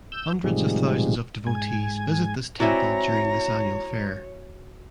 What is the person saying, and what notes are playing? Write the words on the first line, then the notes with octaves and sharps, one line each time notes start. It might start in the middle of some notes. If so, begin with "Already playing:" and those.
Hundreds of thousands of devotees visit this temple during this annual fair.
E6 G6
A2 C3 D#3 F3 G3 G#3
G#2 G#5
C4 E4 F#4 C#5 D5 E5 G#5 A#5